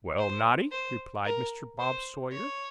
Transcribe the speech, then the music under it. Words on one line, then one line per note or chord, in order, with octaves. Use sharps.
'Well, Noddy,' replied Mr. Bob Sawyer.
C5
C5
A#4
C5
C#5